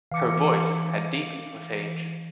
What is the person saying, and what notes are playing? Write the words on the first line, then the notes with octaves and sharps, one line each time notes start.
Her voice had deepened with age.
E3 F5 D6 C#7